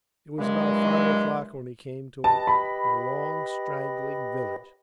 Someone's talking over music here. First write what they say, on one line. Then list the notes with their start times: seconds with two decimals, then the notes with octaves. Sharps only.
It was about five o'clock when he came to the long, straggling village.
0.39 G2 A#2 E3 F#3 G#3
2.24 G4 B4 D#5 A5
2.47 B5